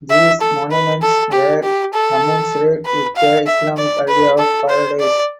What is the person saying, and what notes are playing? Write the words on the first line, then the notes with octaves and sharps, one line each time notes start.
These monuments were commensurate with the Islamic idea of paradise.
E5
A4
B4
A4
G4
G4
A4
B4
F5
E5
D5
B4
A4
C5
D5